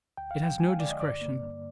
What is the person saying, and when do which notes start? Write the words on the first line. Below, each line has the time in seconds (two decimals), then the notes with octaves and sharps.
It has no discretion.
0.17 D2 G5
0.31 F5
0.39 F3 G5
0.60 G#3 G#5
0.70 F5
0.80 D3 D5
0.91 D#5
1.01 G2 D5
1.21 A#3
1.42 G2